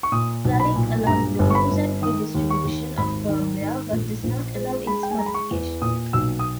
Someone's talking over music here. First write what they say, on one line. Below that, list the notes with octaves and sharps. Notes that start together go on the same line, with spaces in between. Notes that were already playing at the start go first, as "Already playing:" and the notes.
Ralink allows the use and redistribution of firmware, but does not allow its modification.
C#6
A#2 D#6
B1
B5
A#2
G2 A#5
G1
C#6
B5
G1
D#3 D#6
D#2
C#6
D#2
G#1 B5
D#3
G#2
A#1
A#1
G#3
G#3 B5
G5
G#5
G#3 A#5
B5
C#6
E2
A#2 D#6
B1 E6
D#6